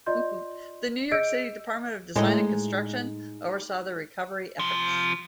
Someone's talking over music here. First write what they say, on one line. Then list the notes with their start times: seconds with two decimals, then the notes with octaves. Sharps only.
The New York City Department of Design and Construction oversaw the recovery efforts.
0.06 F4 D5 D#5 C6 G6
1.12 G#4 D#5 E6 G6 C#7 D7
2.16 A2 G#3 D#4
4.59 C3 F3